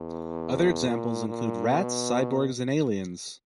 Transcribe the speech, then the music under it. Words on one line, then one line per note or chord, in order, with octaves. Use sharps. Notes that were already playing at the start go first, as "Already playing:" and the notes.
Other examples include rats, cyborgs and aliens.
Already playing: E2
A#2
A#2
B2